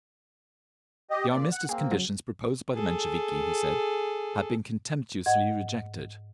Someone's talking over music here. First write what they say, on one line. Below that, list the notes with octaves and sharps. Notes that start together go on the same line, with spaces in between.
The armistice conditions proposed by the Mensheviki, he said, had been contemptuously rejected.
G4 D#5
A#2 D5
F#5 F#6
A#3 C4 G#4
C#3 F#3
G#4 A4
G#2 D#5 F#5 G#6